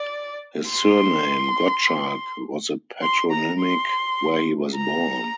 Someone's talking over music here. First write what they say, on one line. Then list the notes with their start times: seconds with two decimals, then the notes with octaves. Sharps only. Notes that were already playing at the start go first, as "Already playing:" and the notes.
His surname, Gottschalk, was a patronymic where he was born.
Already playing: D5
0.71 C6
3.02 C6
3.31 A#5
3.60 C6
4.75 A#5